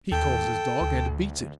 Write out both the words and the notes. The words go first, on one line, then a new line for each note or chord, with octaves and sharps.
He calls his dog and beats it.
D#2 A4 G5
D2